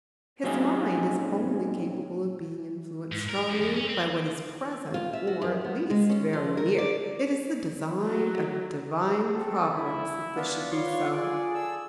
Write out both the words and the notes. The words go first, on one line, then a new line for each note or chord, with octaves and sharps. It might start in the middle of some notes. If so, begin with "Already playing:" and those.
His mind is only capable of being influenced strongly by what is present, or, at least, very near. It is the design of Divine Providence that this should be so.
A#2 F#3 C4 C#4 D#4 G#4
G#2
A#4
F#2
F2
C#4
C4
F4
E5
F#4
F#2
B3
G#3
C#4
F3
A#4
D5
F#3
C4 F#4 A4
E4
B3 D4 F4
F4 B4 C#5 D5 F5 C6 C#6
G#4 D5
A4 E6